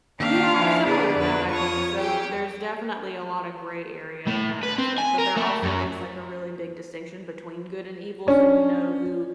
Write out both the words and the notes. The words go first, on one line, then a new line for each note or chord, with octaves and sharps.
Yeah, similar to that, I think, so there's definitely a lotta gray area in that aspect, but there also is like a really big distinction between good and evil, so you know who
D#3 A#3 D4 D#4 G4 F5 C#6
F3 E4 B4 G#5 C#6
D3 B3 G#4 A4 D5 E5
F2 D4 B4
F4 C#5 C#6 D#6
G4 G#4 G5
A2
B4
C4
G#5
A#4
A3
F#2
C#4 D4